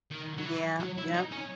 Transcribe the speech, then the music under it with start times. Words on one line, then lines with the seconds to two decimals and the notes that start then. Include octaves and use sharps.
Yeah, yep.
0.11 D#3
0.38 F#3
0.45 E3
0.80 F#3
0.98 E4
1.14 D#4
1.32 C#4